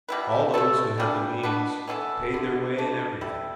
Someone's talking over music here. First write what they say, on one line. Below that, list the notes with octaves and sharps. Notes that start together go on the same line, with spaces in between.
All those who had the means paid their way in everything.
B2 G3 E4 B4
A3 E4 A4
E3 G3 D4
B2 B3 D4 B4
E3 B3 E4 A4
D3 B3 E4
A3 D4 B4
G3 E4 A4